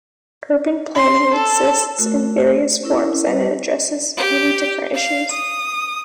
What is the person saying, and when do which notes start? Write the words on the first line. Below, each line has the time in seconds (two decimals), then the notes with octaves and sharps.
Urban planning exists in various forms and it addresses many different issues.
0.95 C6
1.35 A4
1.99 A3 F#4 A#4
2.83 C#4 E4 A#4
3.23 G3 B4 D#5
4.17 G4
4.94 F5
5.31 D#6